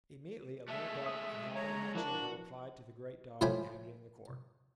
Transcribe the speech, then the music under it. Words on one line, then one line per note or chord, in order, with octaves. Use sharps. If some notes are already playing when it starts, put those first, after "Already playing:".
Immediately a little dog inhabiting that chamber replied to the great dog inhabiting the court.
G#3 A3 E5
D#6
C#5 A#5
F3 D4 E4 F#4 A#4
A2 F3 C5 E5 G5 G#5